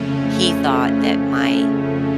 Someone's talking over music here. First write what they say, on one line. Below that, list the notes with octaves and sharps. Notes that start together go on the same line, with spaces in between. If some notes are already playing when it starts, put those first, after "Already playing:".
he thought that my
Already playing: F2 C#3 A3 C#4